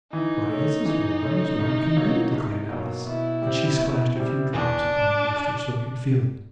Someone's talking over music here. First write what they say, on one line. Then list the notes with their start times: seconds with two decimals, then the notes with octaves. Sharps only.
"Why, it's as warm as warm can be," declared Alice, and she splashed a few drops upon the rooster, so he could feel it.
0.12 E3 D#4
0.49 A3 C#4
0.85 E3
1.22 A3 C#4
1.59 C2
1.96 B2 F#3 A#3
2.32 C2
2.69 B2 F#3 A#3
3.06 B2 E4
3.42 G3 C4
3.79 B2
4.16 G3 C4
4.53 E2 D4